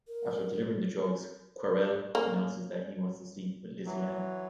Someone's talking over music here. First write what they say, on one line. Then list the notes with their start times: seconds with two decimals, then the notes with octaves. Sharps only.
After delivering the drugs, Querelle announces that he wants to sleep with Lysiane.
0.08 A#4
2.15 A#3
3.86 E3 F#3